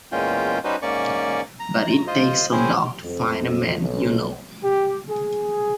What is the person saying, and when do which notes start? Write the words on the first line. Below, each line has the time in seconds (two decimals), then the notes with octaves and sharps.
But it takes a dog to find a man, you know.
0.12 E2 A#2 G#3 C#4 F4 G5
0.64 G3 C#4 D#4 F#4 B4 C5
0.82 G#2 A#3 C#4 D5 C#6
1.60 A#5
2.07 F4 C5 D#5
2.52 C4 C#4 E4 G#4 C5
3.03 F2
3.79 B1
4.64 G4
5.08 G#4